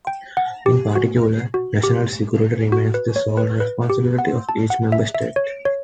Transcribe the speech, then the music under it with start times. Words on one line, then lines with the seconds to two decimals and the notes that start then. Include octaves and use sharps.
In particular, national security remains the sole responsibility of each Member State.
0.07 G5
0.37 F#5
0.66 G4
0.96 F#4
1.54 F#4
1.83 G4
2.72 F#4
2.94 B4
3.16 C#5
3.37 B4
3.60 B4
3.90 G4
4.19 F#5
4.49 A5
4.70 F#5
4.92 E5
5.15 E5
5.36 C#5
5.65 C#5